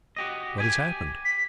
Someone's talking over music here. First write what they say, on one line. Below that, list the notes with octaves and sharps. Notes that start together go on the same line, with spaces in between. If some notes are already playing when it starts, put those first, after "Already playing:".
"What has happened?"
F#4 G4 D#5
G4 G#5
B6